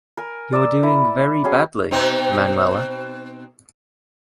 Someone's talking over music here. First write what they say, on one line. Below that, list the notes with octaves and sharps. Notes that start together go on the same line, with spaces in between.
You’re doing very badly, Manuela.
A#4 G#5
D5 A#5 E6
E4 B4 A#5
F#3 C#4 G#4
B2 C4 D#4